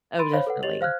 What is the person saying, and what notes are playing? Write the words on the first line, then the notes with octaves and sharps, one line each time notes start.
Oh, definitely.
B5 C6 A6 D7 D#7
C5 C#5 F5 B5
A4 B4 F#5
G4 C#5 D#5 A6 F7 F#7
C5 F5 F6 F#6 G#6